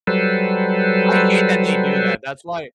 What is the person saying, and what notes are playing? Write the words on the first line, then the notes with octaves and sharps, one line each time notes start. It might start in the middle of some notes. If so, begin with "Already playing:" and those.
I hate that they do that, that's why
F#3 G3 A4 B4 C5